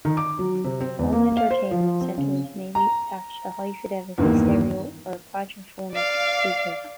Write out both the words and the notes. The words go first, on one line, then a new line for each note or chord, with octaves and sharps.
Home entertainment centers may be attached to high-fidelity stereo or quadraphonic speakers.
D#3
D6
F#3
C3
C4
E2
A#3
F5
C5
F3
C4
C#3
A#5
E2 G2 D#3 A#3
D5 F5